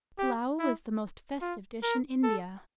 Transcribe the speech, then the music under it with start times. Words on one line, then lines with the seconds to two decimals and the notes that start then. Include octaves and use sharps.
Pullao is the most festive dish in India.
0.19 G4
0.59 E4
1.41 F4
1.83 A#4
2.23 A4